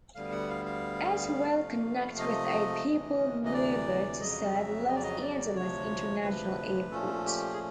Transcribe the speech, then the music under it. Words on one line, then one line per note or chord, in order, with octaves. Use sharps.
It will connect with a people mover to serve Los Angeles International Airport.
D2 D3 G3 B3 F5
F#5
F5
F5
C3 F3 A3
D#5
D2 C3 E3
D#5
D5
F2 C#3 F#3 D#5
E5
D#5
D5
D#5
D5
D2 C3 F3 C#5
B4
A#2 F3 A3 C#4 A4
G4
G#4